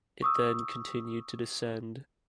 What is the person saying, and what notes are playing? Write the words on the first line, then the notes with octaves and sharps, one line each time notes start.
It then continued to descend.
C#6 D#6 E6